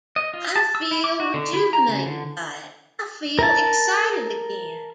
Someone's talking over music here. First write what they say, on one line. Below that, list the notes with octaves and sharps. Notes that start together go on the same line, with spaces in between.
I feel rejuvenated by it, I feel excited again.
D#5
F4
A5
E6
E4
D6
F#4
D3
E4
A#5
C#3
D3
A#4 A5